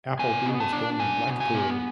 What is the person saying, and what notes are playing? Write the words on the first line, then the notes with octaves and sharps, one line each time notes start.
Appleby was born in Blackpool.
B2 G#5
B3
A5
D4
B2 G#5
B2
G#5
B3